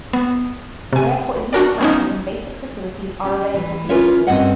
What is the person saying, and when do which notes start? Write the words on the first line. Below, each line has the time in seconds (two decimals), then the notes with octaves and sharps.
The airport is not crowded and basic facilities are available for users.
0.13 B3
0.93 C3 G#5
1.53 D4 F#4 A#4 D5
1.81 B3 C#4 D#4
3.24 C#4 G4
3.54 E3
3.89 C#4 F4 A#4 B4 C#5 E5
4.27 G2 C4 C#4 D#5 F#5